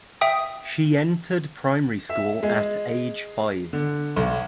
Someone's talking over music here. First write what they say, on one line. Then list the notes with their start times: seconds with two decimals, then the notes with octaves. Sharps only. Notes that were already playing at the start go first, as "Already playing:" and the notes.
She entered primary school at age five.
0.21 E5 G5 D#6
2.09 E5
2.43 G#3
3.73 D3
4.16 B1